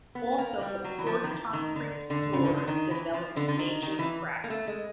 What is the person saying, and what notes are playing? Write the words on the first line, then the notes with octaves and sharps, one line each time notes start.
Also the poured concrete floor developed major cracks.
B3
A#3
G3
F#3
E3
F3
D#3
E3
D#3
D3
D3
C#3
D3
D3
D#3
E3
F3
D3
D3
D#3
D#3
E3
A#3
A3
G#3